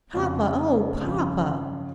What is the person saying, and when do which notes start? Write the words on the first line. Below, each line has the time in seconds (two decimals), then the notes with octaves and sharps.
"Papa--oh, papa!"
0.13 F1 F2 C#3 F3
1.01 G1 F2 C#3 F3